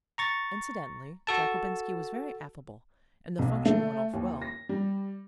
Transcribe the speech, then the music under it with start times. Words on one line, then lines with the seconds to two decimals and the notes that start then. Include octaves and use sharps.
Incidentally, Jockobinski was very affable and the function went off well.
0.18 A#5 C#6 A6
1.27 F#4 A4 A5
3.39 B1
3.65 A3
4.13 D#2
4.42 A#6
4.69 G3